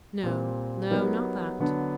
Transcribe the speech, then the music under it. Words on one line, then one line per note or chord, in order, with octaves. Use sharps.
No, no: not that.
A#2 G3 C4
F#3 B3 D#4 G4 A#4
D3 F#3 B3 D4